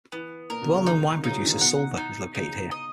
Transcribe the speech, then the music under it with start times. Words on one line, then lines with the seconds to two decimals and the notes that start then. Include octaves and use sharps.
The well-known wine producer "Suvla" is located here.
0.12 E3 B3
0.50 A#2 A#4
0.62 B2
0.75 C#3
0.86 D#3 D#4
1.24 C#3 D#4
1.31 F#3
1.39 E3
1.46 D#3
1.54 C#3
1.61 B2 F#5
1.97 D#4
2.34 C#3 D#4
2.71 D#5